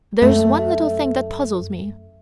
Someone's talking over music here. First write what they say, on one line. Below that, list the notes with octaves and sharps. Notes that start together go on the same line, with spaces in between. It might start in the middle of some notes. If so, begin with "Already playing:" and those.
But there's one little thing that puzzles me.
F#2 A3